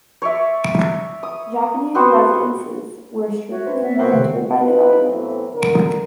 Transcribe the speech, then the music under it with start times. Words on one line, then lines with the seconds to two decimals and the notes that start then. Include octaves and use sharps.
Japanese residences were strictly monitored by the Government.
0.22 C#5 D5 E5
1.23 D#6
1.95 B3 C4 F#4 C5
3.49 F#4 C#5 E5
3.67 D4 B4 C5
3.82 B3 D5 E5 F#5
3.99 C4 A#4 B4 C#5 E5 C#6
4.11 C3 D#3 F#5
4.56 C4 D#4 F4 F#4 B4
5.07 A2 E3 F#3 A3 B3 C4
5.53 D3 A#4